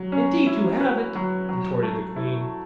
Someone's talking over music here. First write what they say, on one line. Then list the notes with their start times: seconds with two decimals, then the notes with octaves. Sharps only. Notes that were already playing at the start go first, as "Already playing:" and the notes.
"Indeed you haven't!" retorted the Queen.
Already playing: F#3
0.12 C#4
0.46 E4
0.81 B4
1.15 F#3
1.49 F#3
1.83 A3
2.16 E4